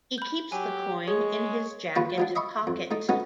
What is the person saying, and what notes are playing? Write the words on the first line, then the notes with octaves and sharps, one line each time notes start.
He keeps the coin in his jacket pocket.
B5 G6
F#3 G4 G#5
G#3 G#4 C#5
D#2 F4 B4 D5 C#6
F3 F#3 D4
D#5 E5 B5 C#6
F2
A3 D#4
F#3 A3 B3 C#4 D#4